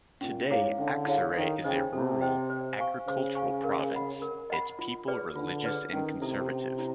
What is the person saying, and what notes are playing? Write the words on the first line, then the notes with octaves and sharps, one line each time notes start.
Today Aksaray is a rural, agricultural province, its people religious and conservative.
A#2 C#4
G#2 E4 G#4 C#5 F5
D3 C#4
E4 G#4 C#5 F5
D#3 A4
C#3 C5 D#5 G5
C3 A4
C5 D#5 G5
C5
F5 G#5 C#6
C#3 C5
F5 G#5 C#6
A#4
D#5 F#5 B5
A#4
D#5 F#5 B5
F4
G#4 B4 D5
D3 F4
G#4 B4 D5
D#3 C#4
C3 E4 A4
C#4
E4